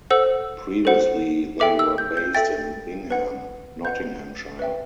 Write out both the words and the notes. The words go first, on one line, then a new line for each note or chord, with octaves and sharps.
Previously they were based in Bingham, Nottinghamshire.
A4 C5 F#5 E6
A4 C5 F#5
A4 E5 G5 D6
E6
G6
G6
A4 E5 G5 A6
B4 F#5
B4 F#5 G6
B4 E5 G5